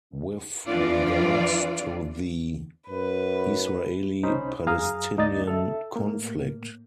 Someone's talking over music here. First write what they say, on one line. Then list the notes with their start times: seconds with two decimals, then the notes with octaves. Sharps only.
With regard to the Israeli-Palestinian conflict.
0.66 F2 E3 F3 D4 F4 D5
2.89 F#2 B4
4.23 C2 C#4 D#4 C5 B5
4.67 F#2 G#4 F5 A#5 D#6
5.18 D2 D#4 D5 D#5 A6
5.48 A4 E5
5.96 A2 A#3